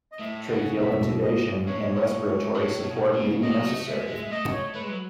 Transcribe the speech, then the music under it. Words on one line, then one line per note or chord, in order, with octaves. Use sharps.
Tracheal intubation and respiratory support may be necessary.
D#5
A2 E5
C#3 F#5
B2 E5
G#2 D#5
A2 C#5
A2
G#2
A2
B2
C#3
F#3 D#5
A3
G#3 E5
G#3
E5
A3 D#5
C#5
A3 B4
G#3
F#3